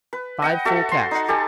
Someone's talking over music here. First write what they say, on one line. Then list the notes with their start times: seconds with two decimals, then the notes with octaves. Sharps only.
"Five full casks?"
0.13 B4
0.42 D#5 F#5 G5
0.65 F#4 A4 E5
0.92 C6
1.11 D#4 F#5
1.28 G4 A4 G#5 A5